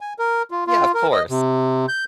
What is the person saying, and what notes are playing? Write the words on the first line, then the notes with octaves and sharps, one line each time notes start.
Yeah, of course.
G#5
A#4
F4
F4
A#4
D#5
C3
G6